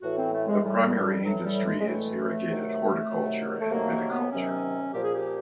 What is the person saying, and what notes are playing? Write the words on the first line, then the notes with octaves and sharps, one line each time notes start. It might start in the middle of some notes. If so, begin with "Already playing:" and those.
The primary industry is irrigated horticulture and viticulture.
A2 E3 F#4
C4
A3
G#3
A2 E3 G3
A2 E3 F#3
G3
G#3
G#3
A2 E3 A3
C3 D#3 F#3
C3 D#3 F#3
A3
C3 D#3 F#3 A#3
A#3
B3
C3 D#3 F#3 C#4
A#2 F3 G4
G#4
G4